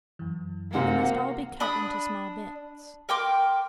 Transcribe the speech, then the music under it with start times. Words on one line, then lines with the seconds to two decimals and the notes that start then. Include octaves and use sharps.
They must all be cut into small bits.
0.19 F#2 E3
0.73 G#1 C3 A#3 F#5
1.60 D4 B5 D#6
3.09 A#4 G5 C6 D6